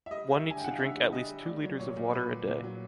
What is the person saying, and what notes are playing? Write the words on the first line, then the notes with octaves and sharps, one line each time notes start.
One needs to drink at least two liters of water a day.
E5
G3 D#5
G3
E5
D3
G#5
G5
D3 F#5
F5
D3 E5
G3
G3 D#5
G3
A3 D5
F#3
A#2 C#5
A#2
A#2 B4
A#2
A#2
F#3